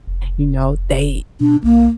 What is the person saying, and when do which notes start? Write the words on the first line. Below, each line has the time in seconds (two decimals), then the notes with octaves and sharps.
You know, they
0.07 F1
1.41 B2 D4
1.64 B1 A#3